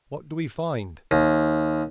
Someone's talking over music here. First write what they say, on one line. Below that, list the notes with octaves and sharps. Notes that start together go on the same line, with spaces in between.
What do we find?
D#2